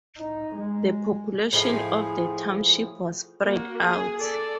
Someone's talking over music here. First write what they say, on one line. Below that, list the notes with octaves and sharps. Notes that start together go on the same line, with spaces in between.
The population of the Township was spread out.
D#4
G#3
A2 F3 G#4 F5
A#3 F#4
G#4
A4 D5